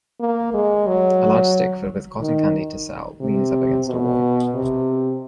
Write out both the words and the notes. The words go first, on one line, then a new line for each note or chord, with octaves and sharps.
A large stick filled with cotton candy to sell leans up against a wall.
A#3
G#3
F#3
D#3
C3
B2
C3